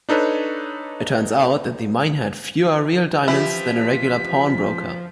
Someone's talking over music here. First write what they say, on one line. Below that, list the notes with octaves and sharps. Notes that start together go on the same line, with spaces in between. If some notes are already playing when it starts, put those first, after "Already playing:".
It turns out that the mine had fewer real diamonds than a regular pawnbroker.
D4 D#4 A4 B4 C#5
E3 F3 E4 G4 B6